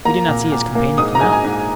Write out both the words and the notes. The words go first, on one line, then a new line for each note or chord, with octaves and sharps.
"We did not see his companion come out."
A#3 A#5
A#2
A#2
A#3
G#2 D#6
A#5
G#2 G#5
G#5
G#2